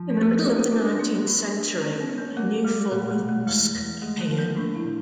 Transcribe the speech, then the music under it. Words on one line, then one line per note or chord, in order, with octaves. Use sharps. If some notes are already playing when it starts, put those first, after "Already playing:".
In the middle of the nineteenth century, a new form of busk appeared.
Already playing: F3
A#4
B3 A4
G#4
B3 G4
F#4
D4 F4
B3 D#4
A3 D4
A3
A3 C#4
B3
C#4
A#3
A3 A#3
G3 G#3
A#2 A3
A3
B1
A3
E2 G#3
E2
G#3 A3
A3
F3
A#3
A3 D4
E4
A#2